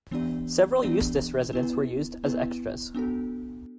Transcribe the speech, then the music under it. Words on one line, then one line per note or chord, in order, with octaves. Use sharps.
Several Eustace residents were used as extras.
E3 B3 D4 G4 D5
E3 B3 D4 G4 D5
B3 E4 B4
B3 E4 B4
B3 D4 F#4 A4